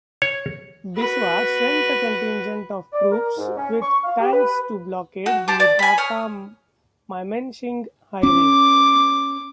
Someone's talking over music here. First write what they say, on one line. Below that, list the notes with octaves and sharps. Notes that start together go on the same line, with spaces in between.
Biswas sent a contingent of troops with tanks to blockade the Dhaka-Mymenshing highway.
C#5
F#4 B4
D5
A#4
G#2
C#4
C#6
F5
G4
B4
F#4
G4 A5 C6 D6
D5
G#5 B5
C#5 D#6 F6
C#4 D6